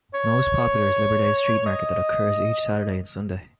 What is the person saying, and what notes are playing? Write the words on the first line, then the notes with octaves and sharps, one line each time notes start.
Most popular is Liberdade street market that occurs each Saturday and Sunday.
C#5
D#5